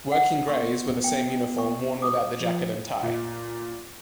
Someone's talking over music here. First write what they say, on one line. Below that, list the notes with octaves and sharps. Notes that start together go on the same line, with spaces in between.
"Working grays" were the same uniform worn without the jacket and tie.
F#5
B3 C6 C#6
G5
C#6
D6 D#6
F3
A#2